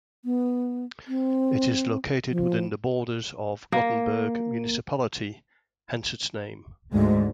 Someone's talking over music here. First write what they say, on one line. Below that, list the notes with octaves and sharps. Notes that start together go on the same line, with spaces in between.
It is located within the borders of Gothenburg Municipality, hence its name.
B3
C4
F3
A#3
D2 G#2 G#3